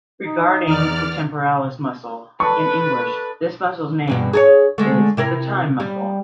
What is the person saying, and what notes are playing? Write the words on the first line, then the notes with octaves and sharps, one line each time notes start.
Regarding the temporalis muscle: in English, this muscle's name is the time muscle.
D#4
E2 D5 F6
D4 A4 B4 C#6
E2 G2 B2
G#4 A4 C#5
D3 G#3 A3
C3 E4 A#4
G3